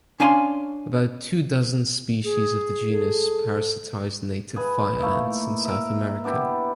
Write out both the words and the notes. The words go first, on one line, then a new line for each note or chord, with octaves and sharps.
About two dozen species of the genus parasitize native fire ants in South America.
C#4 D4 F5 G#5 A5 C6
G#4
A4
G#4 B4 G#5
A3 A#3 D#4 E4
A#4 E5
B3 D4 E4 G4